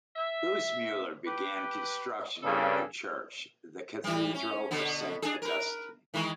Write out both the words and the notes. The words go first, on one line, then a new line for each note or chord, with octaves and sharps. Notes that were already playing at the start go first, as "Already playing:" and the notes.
Louis Mueller began construction on a new church, the Cathedral of Saint Augustine.
E5
G4 B4
G2 C#3 A#3 G#4 A4
E3 G3
C#4
B2 D3 B3
D4 G#4
A#4 B4
D#3 E3 G#3